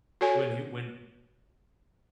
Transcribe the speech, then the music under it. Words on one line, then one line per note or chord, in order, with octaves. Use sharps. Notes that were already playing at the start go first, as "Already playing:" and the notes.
when he when
F#4 A4 C#5 G#5